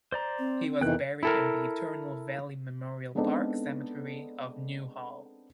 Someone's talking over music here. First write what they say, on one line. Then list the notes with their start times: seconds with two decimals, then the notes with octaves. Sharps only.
He was buried in the Eternal Valley Memorial Park Cemetery of Newhall.
0.12 C5 D5 A#5
0.39 C4
0.81 F2 D#3 E3 B3 A#4 G5 F#6
1.23 E4 A4 A#4
3.15 G#3 B3 C4 D4 D#4 A4